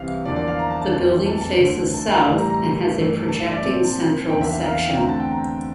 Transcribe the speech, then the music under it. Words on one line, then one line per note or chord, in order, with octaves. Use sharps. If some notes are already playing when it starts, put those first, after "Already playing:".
The building faces south, and has a projecting central section.
Already playing: C2 C3 E3 G3 F5
E2 D3 F3 A#3 D5
D5
F5
A#5
A5
A5
F2 E3 A#3 A5
A5
A5
D2 D3 F3 A3
A5
A2 E3 G3
A#5
A#5
G2 E3 A3
A5
E5
D5
A#2 F3 C4 D5
A5
E2 D3 F3 A#3 G5
E5
F5
F5
F5
G5
E2 D3 A3 C4 A#5
A5
G5
A#5